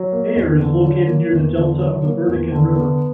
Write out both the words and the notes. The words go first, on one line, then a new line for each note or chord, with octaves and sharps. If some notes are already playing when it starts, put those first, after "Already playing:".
Ayr is located near the delta of the Burdekin River.
Already playing: F#3
A#3
E2
D3
F#3
A#3
E2
D3
F#3
A#3
E2
D3
B3